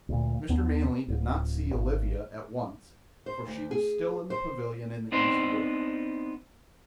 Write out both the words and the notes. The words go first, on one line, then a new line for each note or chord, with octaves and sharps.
Mr. Manley did not see Olivia at once, for she was still in the pavilion in the East wood.
D2 A#2
D#2 B3 D4
D1
G#1
C5
D2
G#4
C5
B3 C4 D4 D#4 C5